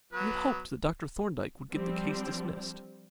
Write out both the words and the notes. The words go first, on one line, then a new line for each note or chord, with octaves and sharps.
I had hoped that Dr. Thorndyke would get the case dismissed.
F#3 B3 B4
F3 G3 C4 D4